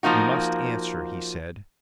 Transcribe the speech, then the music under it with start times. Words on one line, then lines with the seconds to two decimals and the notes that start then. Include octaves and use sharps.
"You must answer," he said.
0.03 F3 A#3 D#4 F#4